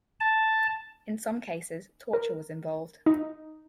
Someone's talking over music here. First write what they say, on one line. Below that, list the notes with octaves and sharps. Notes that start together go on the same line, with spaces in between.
In some cases torture was involved.
A5
A#4
D#4